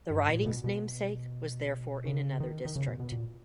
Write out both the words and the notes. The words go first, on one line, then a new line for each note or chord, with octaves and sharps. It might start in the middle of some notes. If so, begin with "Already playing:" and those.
The riding's namesake was therefore in another district.
G2
A#2
B2
B2
C#3
D#3
D#3
C#3
B2
B2
A#2